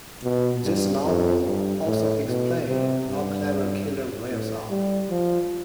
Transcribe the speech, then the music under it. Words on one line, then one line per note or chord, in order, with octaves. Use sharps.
This novel also explain how clever killer whales are.
B2
G2
F2
G2
A2
B2
C3
G2
A2
G3
F3